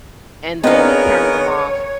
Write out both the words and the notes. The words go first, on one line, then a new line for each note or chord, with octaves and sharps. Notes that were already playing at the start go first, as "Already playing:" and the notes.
and then it turned them off.
B3 C4 D4 D#4 G#4 A#4 C#5 F5